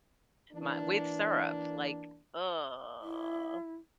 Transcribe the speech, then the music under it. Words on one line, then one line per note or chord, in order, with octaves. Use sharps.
My with syrup, like, ugh.
E3 A#3 D4
E4